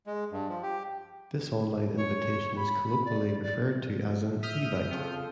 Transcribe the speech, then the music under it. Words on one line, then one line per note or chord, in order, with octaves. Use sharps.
This online invitation is colloquially referred to as "an Evite".
G#3
G2
F3
G4
C#5
B5
D5
D5
E5 D#6 F6 G6 B6
C#3 C4 F4 A4